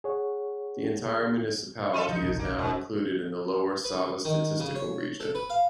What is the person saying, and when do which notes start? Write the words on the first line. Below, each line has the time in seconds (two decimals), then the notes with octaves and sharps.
The entire municipality is now included in the Lower Sava Statistical Region.
0.04 G#4 C#5 F#5
1.94 F4 A4 E5
2.09 F3 D#4
2.22 F1 A#1 E2
2.39 A#3
2.59 E1 G#2
3.85 B4
4.25 D#3
4.60 C#3
4.76 C#5
5.20 A4
5.35 B4
5.50 F5